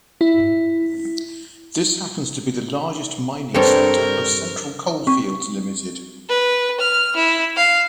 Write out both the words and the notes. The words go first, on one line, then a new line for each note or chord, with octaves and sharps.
This happens to be the largest mining sector of Central Coalfields Limited.
E4
G2 G3 C4 A4 A#4 C#5
C4 C#6
B4
F6
E4
F5